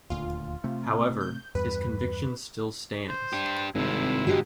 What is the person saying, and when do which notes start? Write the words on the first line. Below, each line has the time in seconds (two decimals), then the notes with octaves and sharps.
However, his conviction still stands.
0.10 D#1 D2 F4
0.64 C3 A3
1.21 G6
1.55 E2 G2 B4
3.09 C5
3.33 D4 G4
3.75 G#1 G2 C3 E4
4.27 G#2 D3 F#4 G4 D#5